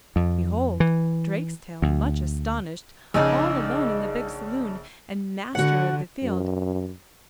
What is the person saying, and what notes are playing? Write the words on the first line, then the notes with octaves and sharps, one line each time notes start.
Behold Drakestail much astonished, all alone in the big saloon and master of the field.
F2
E3
D2
A#1 C#3 D4 D#4 G#4
D3 F#4 F#5
F#2